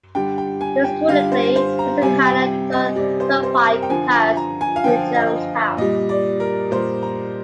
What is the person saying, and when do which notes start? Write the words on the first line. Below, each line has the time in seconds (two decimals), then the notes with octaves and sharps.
Historically, the Susquehanna and Tioga Turnpike passed through Jonestown.
0.15 D3 G3 G5
0.38 G5
0.61 G#5
0.84 G5
1.08 D3 G3 F5
1.32 C5
1.56 C5
1.79 A#5
2.02 C3 G3 G#5
2.26 G5
2.72 D#5
2.96 C3 G3 D5
3.20 C5
3.43 C5
3.66 A#4
3.82 G5
3.90 D3 F3 G#5
4.14 G#5
4.37 A#5
4.61 G#5
4.76 F5
4.84 D3 F3 G5
5.15 D#5
5.77 A#2 G3 D#5
6.09 D5
6.40 A#4
6.71 A#2 G3 C5
7.03 A#5